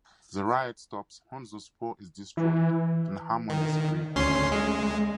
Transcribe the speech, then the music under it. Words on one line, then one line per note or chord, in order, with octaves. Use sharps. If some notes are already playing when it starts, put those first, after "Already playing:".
The riot stops once the spore is destroyed and Hammond is freed.
E3
D#3
D2 C#4 C6
G#3